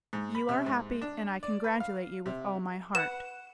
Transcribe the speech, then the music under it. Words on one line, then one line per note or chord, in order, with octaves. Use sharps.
You are happy, and I congratulate you with all my heart.
G#2
B5
C3
G#2
D4
D5
B4
F5
C3
B4 F#5 E7